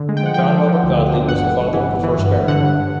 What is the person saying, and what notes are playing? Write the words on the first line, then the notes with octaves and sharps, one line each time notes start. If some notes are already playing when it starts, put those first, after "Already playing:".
John Robert Godley was the father of the first Baron.
Already playing: D3
G#3
G5
F3 F#5
F3 G5
F3
F3
D2
D3
D3
G1 F#5
E3
G1
E3
G1
E3
G2
G2
D3 F#5
G2